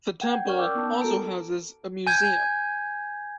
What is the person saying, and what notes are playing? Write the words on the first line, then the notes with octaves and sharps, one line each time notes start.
The temple also houses a museum.
F#5 G5 G6 G#6
C#4 A#4 D5 C#6 F6
G5 D6 E6 F6 G6
B3 D#4 A5
F#4 A4 A#4 A#5 D7
G#5 G6 G#6